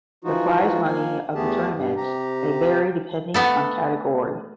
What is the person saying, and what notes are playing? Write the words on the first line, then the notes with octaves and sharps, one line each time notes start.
The prize money of the tournaments may vary depending on category.
E3 F3 D#4 F4 F#4
F3 A#3 F5 G#5
E2 A3 B3 G4 G#4 A5
G2 G3
C3 G4 A#5
A3 B3 A4